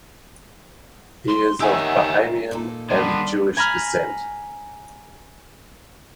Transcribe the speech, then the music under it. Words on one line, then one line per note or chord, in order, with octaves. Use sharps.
He is of Bahamian and Jewish descent.
C6
D#3 D#4 G4 C#5 E5 F#5 G#5 E6
A#2 D#4 A4
D#3 G3 B3 D4 C6
G#5 A#5 B5 F6